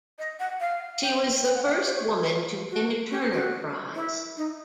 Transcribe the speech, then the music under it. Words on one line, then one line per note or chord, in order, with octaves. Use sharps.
She was the first woman to win a Turner Prize.
D#5
F#5
F5
G5
G5
F#5
F5
C#5
C5
C#5
G#4
F#4
F4
F#4
G4
F#4
E4
D#4